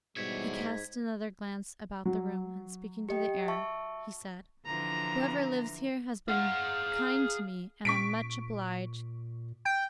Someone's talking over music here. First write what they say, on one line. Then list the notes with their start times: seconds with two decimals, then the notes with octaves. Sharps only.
He cast another glance about the room and, speaking to the air, he said: "Whoever lives here has been kind to me, and I'm much obliged."
0.17 G#2 B2 E3 G3 C#5 E5 G#6 B6
2.05 F#3
3.09 G4 D#5 G5
3.48 E5 A5 C#6
4.66 D3 E3 F3 A#5
6.29 G#4 F5 F#5
7.85 A#2 C#6 B6 D7
9.65 G5